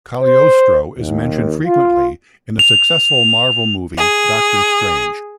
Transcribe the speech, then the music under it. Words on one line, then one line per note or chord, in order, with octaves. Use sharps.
Cagliostro is mentioned frequently in the successful Marvel movie Doctor Strange.
C5
D#2
F4
F7
G#4